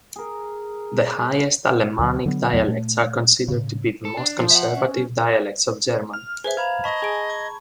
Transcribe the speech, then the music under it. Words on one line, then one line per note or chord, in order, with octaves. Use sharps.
The Highest Alemannic dialects are considered to be the most conservative dialects of German.
G#4 A#4
D2 D3 F#3
D3 F#3 B3
D#2 F3 G#3 B3
A#2 A3
A2 C#3
A4
D4
F3
E5 F#5
C#4
F6
G#4 B4 C5 E5
F5 A#5 B5 G#6
D#5 A5 B5 C#6 B6
G#4 G#5 D7
G#6